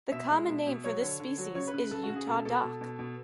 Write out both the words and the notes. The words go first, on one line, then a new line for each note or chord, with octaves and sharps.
The common name for this species is Utah dock.
B2 E5
G#3
B2
B2
F#3 C#5
D3
D3
F#3
C#3 C#5
B4
C#3
B4
C#3 A4
F#4
C#3
G#4
B2 A4
B2 A4
B2
B2
B2